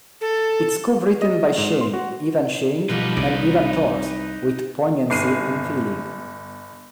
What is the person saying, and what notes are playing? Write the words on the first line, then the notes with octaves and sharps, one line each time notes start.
It's co-written by Shane, Ivan Shane and Ivan Tors with poignancy and feeling.
A4
D#5
G#2
C6
F#4
B2 F3 G3 D#4 B4
C2 C3 D5
G1 C7 D#7